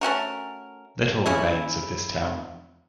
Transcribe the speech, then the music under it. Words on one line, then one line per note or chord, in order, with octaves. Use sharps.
Little remains of this town.
A3 C#4 F#4 A#4
C#3 C#4 E4